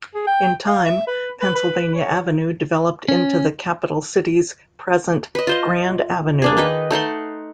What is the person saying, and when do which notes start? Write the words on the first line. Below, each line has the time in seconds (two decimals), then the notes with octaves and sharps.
In time, Pennsylvania Avenue developed into the capital city's present "grand avenue".
0.14 G#4
0.27 G5
0.67 F5
0.85 E5
1.07 B4
1.41 B4
1.55 B4
1.94 C#5
3.08 C#4
5.35 B4 D#5
5.47 F4 C5 D#5
6.42 A#3 D4 G#4
6.57 D#3 D#4 B4 D#5
6.91 A3 D#4 F#5 C6